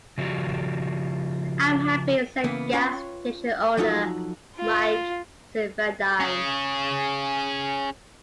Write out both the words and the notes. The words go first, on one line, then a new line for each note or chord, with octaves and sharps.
I'm happy, said gas station owner Mike Safiedine.
C#3 F3 E4 F#4 G4
C#3 E3 A#3 B3
C#4 F4 B4 C#5 G5
F3 F#3 D#4 F4 A4
F4
C#4 G#4